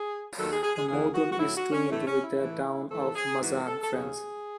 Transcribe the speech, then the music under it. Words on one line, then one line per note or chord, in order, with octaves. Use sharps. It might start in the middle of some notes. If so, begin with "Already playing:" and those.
Moudon is twinned with the town of Mazan, France.
Already playing: G#4
D#2 D#3 F#3 A4
G#4
G#4
G#4
D#2 C#3 E3 G#4
F#4
F#4
A2 F#3 E4
F#4
C#4
A2 E3 A3
C#4
E4
A2 E3
A2 E3 A4
G#4
G#2 E3 F#4
A4
A4
D#2 C#3 F#3 G#4